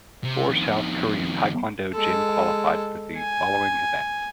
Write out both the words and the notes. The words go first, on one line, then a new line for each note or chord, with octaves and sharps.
Four South Korean taekwondo jin qualified for the following events.
C3
F2 D#3
G#3 A4
G#5